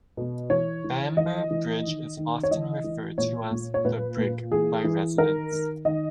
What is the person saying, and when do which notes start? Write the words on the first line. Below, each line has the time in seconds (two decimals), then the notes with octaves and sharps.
Bamber Bridge is often referred to as "the Brig" by residents.
0.17 B2
0.50 E3 C#5
0.84 E3
1.17 E3 D#5
1.51 E3
1.85 D#3
2.17 D#3
2.43 C#5
2.51 E3 D#5
2.84 E3
3.18 A#2 C#5
3.51 A#2
3.74 C#5
3.85 A#2 B4
4.18 A#2
4.51 E3 G#4
4.84 E3
5.18 D#3 A#4
5.51 D#3
5.85 D#3 D#5